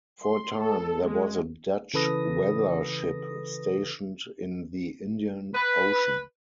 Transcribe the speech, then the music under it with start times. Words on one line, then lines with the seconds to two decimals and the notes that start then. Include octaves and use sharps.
For a time, there was a Dutch weather ship stationed in the Indian Ocean.
0.25 C6
0.63 A4
1.06 G#3
1.93 C#3 E3 A4 B4 D#6 A#6
5.54 B4